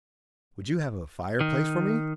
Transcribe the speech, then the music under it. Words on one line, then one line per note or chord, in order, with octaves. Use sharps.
"Would you have a fireplace for me?"
D#3